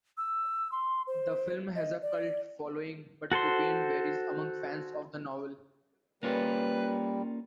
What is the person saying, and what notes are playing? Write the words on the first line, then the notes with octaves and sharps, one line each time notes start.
The film has a cult following but opinion varies among fans of the novel.
E6
C6
C5
D#5
D5
F#4 A4 C5 C6
G3 A#3 C#4 F4 B4